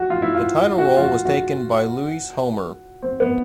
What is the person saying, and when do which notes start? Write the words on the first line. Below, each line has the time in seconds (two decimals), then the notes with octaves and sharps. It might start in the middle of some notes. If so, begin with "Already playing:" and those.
The title role was taken by Louise Homer.
Already playing: F#4
0.10 F4
0.22 E4
0.35 F4
0.78 F#4
0.97 F4
1.01 F#4
1.25 F#4
3.02 C4
3.20 B3